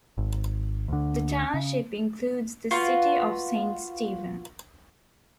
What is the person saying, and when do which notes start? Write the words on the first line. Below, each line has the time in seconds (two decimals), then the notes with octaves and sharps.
The township includes the City of Saint Stephen.
0.18 G#1
0.88 D2 D3
1.54 C#3
2.71 F4 F#4 B4